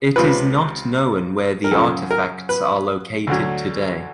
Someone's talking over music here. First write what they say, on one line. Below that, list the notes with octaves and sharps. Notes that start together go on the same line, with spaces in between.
It is not known where the artifacts are located today.
C#2 C3 F3 B4
A#4
F#2 C#3 F3 A4
A#4
B4
D2 D3 F#3